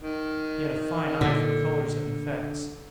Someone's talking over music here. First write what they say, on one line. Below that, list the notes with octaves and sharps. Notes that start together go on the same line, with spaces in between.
He had a fine eye for colors and effects.
D#3
A#2 D3